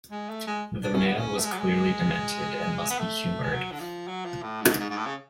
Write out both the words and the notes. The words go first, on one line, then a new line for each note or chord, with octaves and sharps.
The man was clearly demented and must be humoured.
G#3
A3
G#3
D4
C#4
B3
C#4
A3
G#3
F#3
G#3
B3
A3
G#3
F#3
D3
F3
F#3
F3
A2
G#2
G#2
G#2
A2
C#3